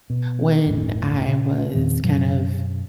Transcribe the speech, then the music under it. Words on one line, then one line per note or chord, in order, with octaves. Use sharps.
when I was kind of
B2
G1 E2 A2
A#2 C#3
E2 A#2 D#3 C4
F#2 B2 F#3